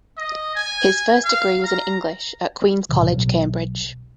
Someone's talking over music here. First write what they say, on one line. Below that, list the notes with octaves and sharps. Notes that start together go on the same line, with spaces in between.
His first degree was in English, at Queens' College, Cambridge.
D#5
G#5
F5
A#5
C2 A2 C3 E3
B1 B2 F#3